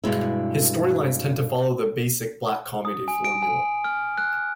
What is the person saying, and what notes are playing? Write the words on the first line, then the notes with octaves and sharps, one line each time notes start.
His storylines tend to follow the basic black comedy formula.
G2 B2 G#3 E4
D#6
G#5
D7
G#5
F6
F#6